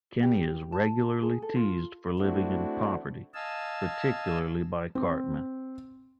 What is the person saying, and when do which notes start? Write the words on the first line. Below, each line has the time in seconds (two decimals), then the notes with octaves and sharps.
Kenny is regularly teased for living in poverty, particularly by Cartman.
0.23 G4
0.72 A5
1.22 G#4
1.42 A4
1.56 F4
2.19 A3 C4 D4 E4 F#4
3.34 D#5 F5 G#5 A5 E6
4.95 C4